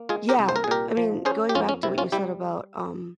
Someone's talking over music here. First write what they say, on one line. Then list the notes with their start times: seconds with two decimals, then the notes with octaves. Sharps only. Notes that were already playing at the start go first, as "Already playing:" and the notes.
yeah, I mean, going back to what you said about, um,
Already playing: A#3
0.09 G#3 F4 G#4
0.29 G4 A#4
0.39 C2
0.49 C5
0.56 A#4
0.64 G#4
0.68 A#2 G4 A#4
0.97 F3
1.25 C#4 G#4 C5
1.49 G4
1.55 F2 C#4 F4
1.69 C#4
1.83 C3 E4
1.98 C#4 F4
2.12 G3 E4 G4